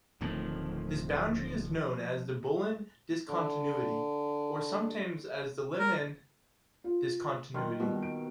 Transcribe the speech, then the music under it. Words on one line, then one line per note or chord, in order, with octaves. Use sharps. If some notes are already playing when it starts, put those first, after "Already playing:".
This boundary is known as the Bullen discontinuity, or sometimes as the Lehmann discontinuity.
D1 A2 D#3 F3
D3
A#4
F4
D#3 F#3 C6 F6
B2 G3
D7